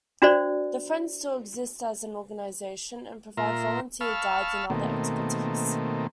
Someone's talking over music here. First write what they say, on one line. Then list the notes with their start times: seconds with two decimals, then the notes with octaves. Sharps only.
"The Friends" still exist as an organisation, and provide volunteer guides and other expertise.
0.22 D4 F#4 C5 D5
3.37 A#2 F4 A#4 E5 A#5 C6
4.01 F5 A5 B5 C#6 E6 F6
4.70 B2 D#3 A3 A#3 C4